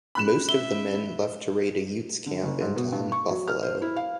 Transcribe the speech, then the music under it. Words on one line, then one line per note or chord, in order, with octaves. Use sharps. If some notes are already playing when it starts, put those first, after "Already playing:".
Most of the men left to raid a Utes camp and to hunt buffalo.
C#4 B5 F#6 E7
E5 G7
D3
F#1
G#2
B2
G2
C#6
F#3
F6
C5
E4
F5